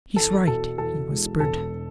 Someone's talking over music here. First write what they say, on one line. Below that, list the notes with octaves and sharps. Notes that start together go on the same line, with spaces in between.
"He's right!" he whispered.
E2 A4
B2 A4
E2 A4
G#3
E1 A4